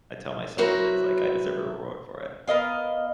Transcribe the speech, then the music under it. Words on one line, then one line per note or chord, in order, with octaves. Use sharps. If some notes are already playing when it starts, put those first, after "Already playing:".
I tell myself that it's like, "I deserve a reward for it."
F#3 C4 E4 F#4 A#4 B4
B3 A#4 D#5 F5